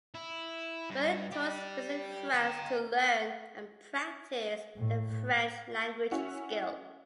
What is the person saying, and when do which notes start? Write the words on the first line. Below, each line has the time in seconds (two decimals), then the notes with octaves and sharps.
Many tourists visit France to learn and practice their French language skills.
0.14 E4
0.91 G2
1.32 G4 D5
2.35 G5 A#5
4.77 A2
6.11 C#4 E4 F#4 C#5